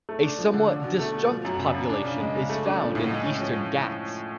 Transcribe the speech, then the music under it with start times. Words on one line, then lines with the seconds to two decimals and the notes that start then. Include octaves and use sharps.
A somewhat disjunct population is found in the Eastern Ghats.
0.09 A3
0.23 D4
0.38 F3
0.53 D3
0.69 D4
0.84 B2
0.99 A3
1.14 B2
1.30 F3
1.45 F#2
1.59 C#3
1.74 F#2
1.89 D4
2.04 C#3
2.20 G#3
2.35 C#3
2.50 A3
2.65 D4
2.80 F3
2.95 A2
3.10 G#3
3.25 C#4
3.41 F3